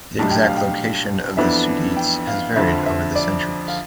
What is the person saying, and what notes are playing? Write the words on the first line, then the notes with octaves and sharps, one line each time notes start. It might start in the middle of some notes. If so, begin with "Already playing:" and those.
The exact location of the Sudetes has varied over the centuries.
B1 A2 G3 D4 A5
G5
F5
G5
F2 E3 B3 D4 E5
G5
F5
F2 D3 F3 E5
E5
D5
F5